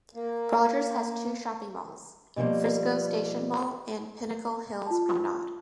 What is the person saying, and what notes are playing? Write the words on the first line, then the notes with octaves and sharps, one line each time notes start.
Rogers has two shopping malls: Frisco Station Mall and Pinnacle Hills Promenade.
A#3
B2 D3 F3 G3 A#3
F4 A5